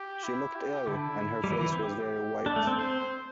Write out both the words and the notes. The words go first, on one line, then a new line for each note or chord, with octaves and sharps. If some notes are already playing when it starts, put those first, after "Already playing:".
She looked ill, and her face was very white.
Already playing: G4
E4
G4
D3 E4
G3
E3
E3
C4
G4
D4 A4
A3
C4
C4 C5